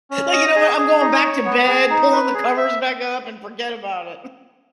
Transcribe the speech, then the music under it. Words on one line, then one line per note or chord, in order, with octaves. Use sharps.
like, "You know what I'm going back to bed, pulling the covers back up, and forget about it!"
C#4
D#5
G#4
G#4
D#4
C#5
B3
G#4
D#4
B4
G#4
E5